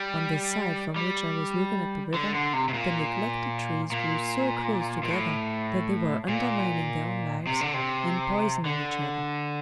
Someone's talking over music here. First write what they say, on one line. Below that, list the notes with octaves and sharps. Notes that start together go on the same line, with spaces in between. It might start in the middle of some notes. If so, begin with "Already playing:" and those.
On the side from which I was looking at the river, the neglected trees grew so close together that they were undermining their own lives, and poisoning each other.
Already playing: G3
G3
D3
D3
C3
C3
A#2
A#2
A#2
A2
A#2
C3
D3
C3
D3